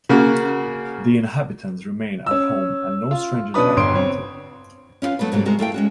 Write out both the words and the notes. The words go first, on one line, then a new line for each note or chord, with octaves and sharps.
The inhabitants remain at home and no strangers are admitted.
C#3 A#3 F#4
C#4 E6
F4
B2 C#4 D4 B4 D#6
G1 C#5 C6 D7
C4 C5 C#5
C#4 E4 F4 B4
F#3 A3 B3 B4
G#2 B2 D3 F#3 G3 A3
C3 G3 G#3 F#4 A#4
A3 A#3 E4 G5
G#3 C#4 F#4